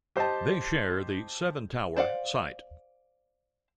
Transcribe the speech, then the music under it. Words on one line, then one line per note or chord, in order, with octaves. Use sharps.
They share the seven-tower site.
G4 C5 D#5 G5 A5
C5 D5 F5 F#5